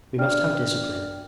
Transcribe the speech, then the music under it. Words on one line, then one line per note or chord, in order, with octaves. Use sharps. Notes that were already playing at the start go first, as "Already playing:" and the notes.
We must have discipline.
D4 D5 G5 F6